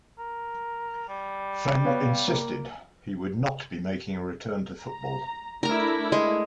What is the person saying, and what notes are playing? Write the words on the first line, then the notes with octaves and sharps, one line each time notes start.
Fenn insisted he would not be making a return to football.
A#4
G3
B3 C#5 F5
A#3
A#5
A3 D4 E4 A#4 A#5
G#3